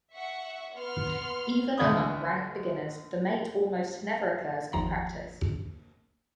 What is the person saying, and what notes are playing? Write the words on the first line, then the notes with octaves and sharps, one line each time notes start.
Even among rank beginners, the mate almost never occurs in practice.
E5 F#5 C#6
B3 C6 F6
D2 B2 D5 B5 D#6
G1 D#2 F3 A#5